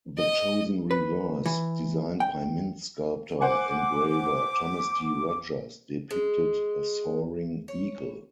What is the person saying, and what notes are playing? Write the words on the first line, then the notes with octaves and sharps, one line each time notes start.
The chosen reverse, designed by Mint sculptor-engraver Thomas D. Rogers, depicted a soaring eagle.
D#5
B4
E3
G5
C5 F#5 G#5 D6
G#3
C#5